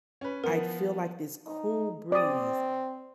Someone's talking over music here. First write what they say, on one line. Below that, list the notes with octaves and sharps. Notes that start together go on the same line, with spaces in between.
I'd feel like this cool breeze,
C#4 B4
F3 B3 A#4
D#4
C4 D5 D#6